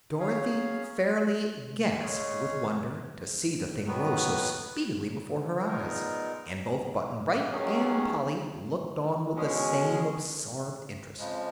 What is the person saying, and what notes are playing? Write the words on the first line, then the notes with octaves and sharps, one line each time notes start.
Dorothy fairly gasped with wonder to see the thing grow so speedily before her eyes, and both Button-Bright and Polly looked on with the same absorbed interest.
F#3 C#4 G#4 C#5 F5
C#3 G#3 C#4 G#4 C#5
D#3 F#3 B3 F#4 B4
A#2 G#3 B3 D#4 A#4
D#2 D#3 F#3 C#4 G#4
B2 G#3 C#4 G#4
F2 C#3 F3 G#3